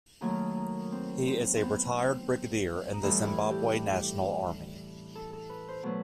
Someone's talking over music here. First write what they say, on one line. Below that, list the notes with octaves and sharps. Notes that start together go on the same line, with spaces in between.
He is a retired Brigadier in the Zimbabwe National Army.
D#2 D#3 F#3 A3 D#4
D#4
C4
C4
C4
B3
C4
D#4
A2 E3 G3 E4
E4
G4
A4
A4
B4
C5
B2 F#3 A3 B4